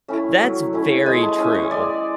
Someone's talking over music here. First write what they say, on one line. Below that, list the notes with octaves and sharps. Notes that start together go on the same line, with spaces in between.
That's very true.
A3 C#4 E4
F#3
A3 C#4 E4
G#3 G#5
A5
C#4 E4 G#5
C#5
G#3 D5